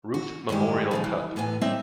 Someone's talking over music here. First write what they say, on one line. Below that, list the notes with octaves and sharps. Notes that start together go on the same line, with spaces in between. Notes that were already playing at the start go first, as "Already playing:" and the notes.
Ruth Memorial Cup.
F#4
G2 D#3 G#3 G4
D#2 C#3 F3
E3
A2 E3 B3 G#5
G3 A#3 C4 C#4 D#4 E5